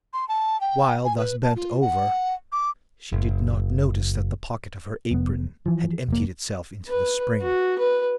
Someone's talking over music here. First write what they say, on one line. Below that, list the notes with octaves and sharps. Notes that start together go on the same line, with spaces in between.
While thus bent over, she did not notice that the pocket of her apron had emptied itself into the spring.
C6
A5
G5
G#5
B4
A5
F4
F#5
D6
F#1
F1 B3
E3 F3
F1 A#3
B4
F#4
B4